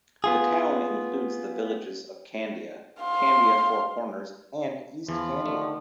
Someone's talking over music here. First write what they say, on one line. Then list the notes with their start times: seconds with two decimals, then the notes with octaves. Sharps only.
The town includes the villages of Candia, Candia Four Corners and East Candia.
0.24 B3 F4 G#4
3.01 F5 C6
5.09 E2 E3 F3
5.46 D3 D#3 A3